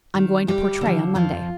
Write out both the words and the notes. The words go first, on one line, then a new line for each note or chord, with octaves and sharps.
"I am going to Portray on Monday."
D#3
D2 G3 G4
D3 F3
F2 F3 F4